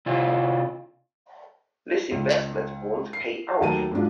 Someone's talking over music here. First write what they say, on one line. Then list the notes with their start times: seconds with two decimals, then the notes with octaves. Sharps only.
This investment won't pay off.
0.06 C3 E4 F4
2.11 C#2
3.13 C7
3.60 D#2 F#3 A3 A5 A#5 D#7
3.92 G#2 F#3 G#3 D4 F4